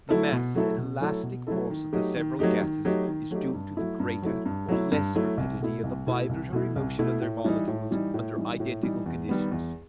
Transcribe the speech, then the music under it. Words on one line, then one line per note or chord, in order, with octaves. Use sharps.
The mass and elastic force of the several gases is due to the greater or less rapidity of the vibratory motion of their molecules under identical conditions.
F#3 A3 E4 A4
B2
F#3 A3 E4 A4
B2
F#3 A3 E4 A4
B2
F#3 A3 E4 A4
D#3
F#3 A3 D#4 G4
D#3
F#3 A3 D#4 G4
D#3
F#3 A3 D#4 G4
D#3
F#3 A3 D#4 G4
G2
F#3 A3 E4
G2
F#3 A3 E4
G2
F#3 A3 E4
G2
F#3 A3 E4
C2
B2 A3 E4
C2
B2 A3 E4
C2
B2 A3 E4
C2
B2 A3 E4
A2
E3 G3 D#4
A2
E3 G3 D#4
A2
E3 G3 D#4
A2
E3 G3 D#4
E2
D#3 G3 B3
E2